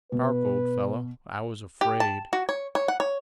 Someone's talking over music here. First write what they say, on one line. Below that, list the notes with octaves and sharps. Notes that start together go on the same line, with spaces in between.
"Park, old fellow, I was afraid."
B2 B4
G4
A5
F#4
C#5
C#5
F#5
C#5